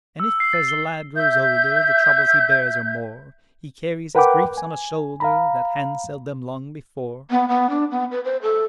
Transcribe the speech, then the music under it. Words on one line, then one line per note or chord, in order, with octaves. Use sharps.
And if as a lad grows older The troubles he bears are more, He carries his griefs on a shoulder That handselled them long before.
E6
C7
A6
G7
E5 G6
A#4 B4 F#5 G5 B5 D6
G#5
F5 A#5 B5
B3
B3
D4
B3
B4
C5
A4